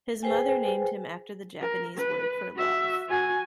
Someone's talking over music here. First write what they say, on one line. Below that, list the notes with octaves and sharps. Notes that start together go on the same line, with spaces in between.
His mother named him after the Japanese word for "love".
G#4 B4 C5 G5 G#5
A#4
B4
F#4 E5
F#4 G#5